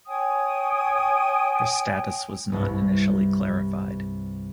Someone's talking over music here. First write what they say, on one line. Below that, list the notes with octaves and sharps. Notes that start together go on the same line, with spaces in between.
Her status was not initially clarified.
C#5 G5 G#5 D#6
C2 G2